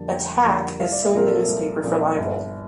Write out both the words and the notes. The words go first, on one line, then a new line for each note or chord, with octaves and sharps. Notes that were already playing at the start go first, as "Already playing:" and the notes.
Attack is suing the newspaper for libel.
Already playing: F1 F2 D3 G3 A#3 A5
F1 G5
F2 D3 G3 A#3
C2 F5
D5
E5
A#2 F3 C4 A#4
A4
C2
A#2 F3 C4
G1